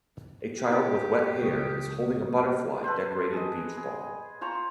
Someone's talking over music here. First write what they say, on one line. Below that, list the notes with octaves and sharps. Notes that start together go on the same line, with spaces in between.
A child with wet hair is holding a butterfly decorated beach ball.
G4
E4 A#4 D#5
C#2 C#6 D#6
A4 B4 C5
G#4 D#5
G#4
F4 C5 A#5 C#6